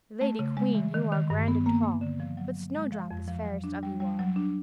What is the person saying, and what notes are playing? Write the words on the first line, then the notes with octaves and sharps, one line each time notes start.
"Lady queen, you are grand and tall, But Snowdrop is fairest of you all."
A3
C#3
G#3
E3
D#3
D#3
G2
B3
A#3
A#3
D3
F3
F#3
F#3
G#3
F3
F2
F3
F#3
D4
G3
G3
F#3
D4